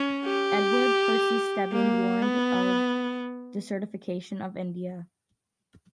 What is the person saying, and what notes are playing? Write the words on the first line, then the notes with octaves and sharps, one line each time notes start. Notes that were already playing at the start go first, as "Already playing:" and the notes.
Edward Percy Stebbing warned of desertification of India.
Already playing: C#4
G4
A#3
B3